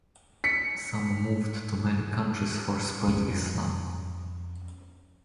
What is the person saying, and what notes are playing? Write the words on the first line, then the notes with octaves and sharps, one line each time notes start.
Some moved to many countries for spread Islam.
B6 C#7
F2 C#4